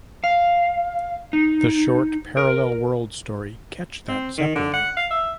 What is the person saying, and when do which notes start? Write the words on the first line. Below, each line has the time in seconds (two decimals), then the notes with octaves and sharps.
The short parallel worlds story Catch That Zeppelin!
0.24 F5
1.33 D#4
2.37 A#4
4.08 C4
4.37 D#3
4.55 D3
4.73 F#5
4.97 F5
5.11 E5